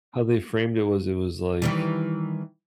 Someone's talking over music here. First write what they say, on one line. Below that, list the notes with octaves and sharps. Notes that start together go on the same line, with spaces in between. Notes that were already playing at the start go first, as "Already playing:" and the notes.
how they framed it was it was like,
D#3 E3 G3